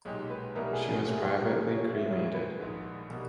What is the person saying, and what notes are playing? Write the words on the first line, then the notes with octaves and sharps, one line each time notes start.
She was privately cremated.
B1 A#2 G#3 D#4 G4
B4
B1 B2 G3 A#3 E4 A#4
G#4
G#4
A#2 A#3 C#4 E4 G4
G#4
G4
A#4
G2 E3 A#3 B4
C#5
E5
A#2 A#3 E4 G#4 C#5
B4
A#1 G#2 D#3
B2 G3 A#3